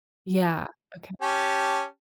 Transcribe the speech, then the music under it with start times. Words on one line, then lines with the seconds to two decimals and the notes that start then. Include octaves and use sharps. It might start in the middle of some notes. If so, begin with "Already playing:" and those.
Yeah. Okay.
1.22 C#4 G4 A5